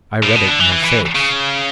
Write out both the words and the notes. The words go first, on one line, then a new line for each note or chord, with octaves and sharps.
I read it in her face.
A2
B2
D3
E3
E3
E3
C#3